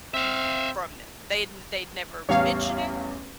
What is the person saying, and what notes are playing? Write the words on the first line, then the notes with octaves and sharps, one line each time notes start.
from them. They'd n they'd never mentioned it,
C4 E5 F5
A1 E2 G3 C#5 F5